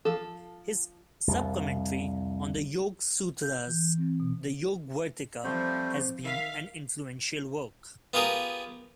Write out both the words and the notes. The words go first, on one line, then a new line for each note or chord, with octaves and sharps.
His sub-commentary on the Yoga Sutras, the "Yogavarttika," has been an influential work.
F3 A4
C2 F2
G6
E3
C4
B2
F3 G3 A3 C4 C5
D#3 E5 F5 B6
B3 F4 G4 G#4 A#4